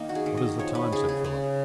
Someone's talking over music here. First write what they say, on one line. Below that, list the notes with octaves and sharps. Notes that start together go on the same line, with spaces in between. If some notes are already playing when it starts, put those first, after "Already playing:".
"What is the time?" said Philip.
Already playing: D#3 A#3 D#4
F#4
G#4
D#3
D#5
F3 C#5
B4
C#3 G#4
G#4
C#3 G#4